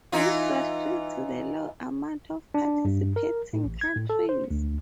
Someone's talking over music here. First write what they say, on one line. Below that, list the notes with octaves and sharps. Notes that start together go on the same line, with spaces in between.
This was due to the low amount of participating countries.
E3 D#4 F4
D4
G2
A#4
A2
A1
G#6
A2
A4
C5
D2